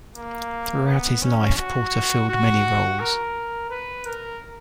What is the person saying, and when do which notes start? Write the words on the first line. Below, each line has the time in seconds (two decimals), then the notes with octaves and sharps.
Throughout his life, Porter filled many roles.
0.16 A#3
0.87 B3
1.22 C#4
1.57 F#4
2.29 F#4
3.00 A#4
3.70 B4
4.06 A#4